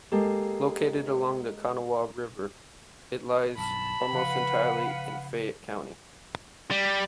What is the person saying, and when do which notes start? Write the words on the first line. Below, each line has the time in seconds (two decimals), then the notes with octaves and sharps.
Located along the Kanawha River, it lies almost entirely in Fayette County.
0.12 G#3 A#3 G4 A4
3.58 B1 G2 A5 B5
4.13 C#3 F3 B4 F5 F#5
6.71 G3